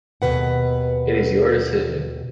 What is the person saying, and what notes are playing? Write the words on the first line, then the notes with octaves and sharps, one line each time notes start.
It is your decision.
D#2 B2 B4 F#5